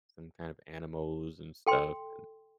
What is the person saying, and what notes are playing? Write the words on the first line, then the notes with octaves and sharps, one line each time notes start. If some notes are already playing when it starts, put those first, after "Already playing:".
some kind of animals and stuff and
A4 G5 C6